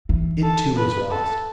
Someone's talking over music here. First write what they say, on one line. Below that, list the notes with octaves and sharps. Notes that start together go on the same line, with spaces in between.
It, too, was lost.
E3
A4
B4
A4